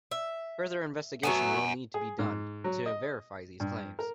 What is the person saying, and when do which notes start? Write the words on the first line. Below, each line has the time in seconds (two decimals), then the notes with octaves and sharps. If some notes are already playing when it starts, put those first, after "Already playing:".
Further investigation will need to be done to verify these claims.
0.11 E5
1.23 F#3 A3 B3 F#5 G#5
1.94 G#4
2.19 G#2
2.64 F#3
2.86 D#5
3.60 G2
3.99 A#4